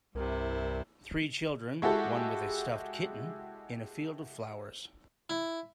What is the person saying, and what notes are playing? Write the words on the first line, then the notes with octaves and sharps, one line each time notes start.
Three children, one with a stuffed kitten, in a field of flowers.
C2 G2 C3 E4 A#4
G#3 E4 F#4 G4 A4
E4